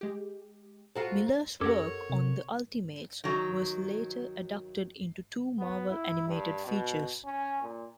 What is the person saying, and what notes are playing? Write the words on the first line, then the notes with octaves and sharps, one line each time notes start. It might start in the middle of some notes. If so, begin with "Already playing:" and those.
Millar's work on "The Ultimates" was later adapted into two Marvel Animated Features.
G#3 G4
F4 F#4 A4 C5 A#5
F#2 G4 A4 A#4 C#5 F#5 G#6
C3
D#3 F#3
B3
E4
G2
B2
C#4
A#2